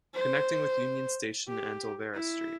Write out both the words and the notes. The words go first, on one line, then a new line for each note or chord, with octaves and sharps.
Connecting with Union Station and Olvera Street.
C5
G4
E4